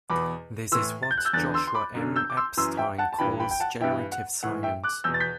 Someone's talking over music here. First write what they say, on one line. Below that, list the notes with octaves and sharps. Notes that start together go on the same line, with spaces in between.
This is what Joshua M. Epstein calls generative science.
E2 B2 B5 D6
A2 E3 C6 E6
A6
G6
F#6
E6 G6
E2 D3 F#6 A6
C6 E6
C6
B5 D6
F#2 D3
E6 G6
D6
C6 E6
F#2 E3 C6 E6
E5 G5
F#5 A5
A5
G2 E3 G5 B5
G5 B5
G5
F#5 A5
G2 E3 E5 G5
F#5
A2 E3 F#5
E5 G5
D6 F#6
E2 B2 E6 G6
A6
G6 B6